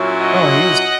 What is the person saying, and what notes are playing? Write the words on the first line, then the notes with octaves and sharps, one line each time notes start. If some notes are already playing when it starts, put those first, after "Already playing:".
Oh, he's
Already playing: A#2 F#3 C#4 E4
D#5 F#5